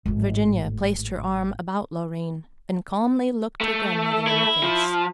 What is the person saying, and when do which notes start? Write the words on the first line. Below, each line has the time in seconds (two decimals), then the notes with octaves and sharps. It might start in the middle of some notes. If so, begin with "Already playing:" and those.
Virginia placed her arm about Loreen and calmly looked her grandmother in the face.
0.06 G#1 A2
3.61 A3
4.27 E4
4.63 F3